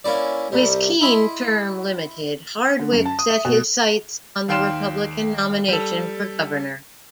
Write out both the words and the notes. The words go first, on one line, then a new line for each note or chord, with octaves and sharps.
With Kean term-limited, Hardwick set his sights on the Republican nomination for Governor.
A#3 C#4 E4 D5
C2 C3 G3
E4 D#5 B5 C6
D3
F#2
A5
D#6
E5
B2
D#2 F5 G5 C6 F6 E7
G3 A4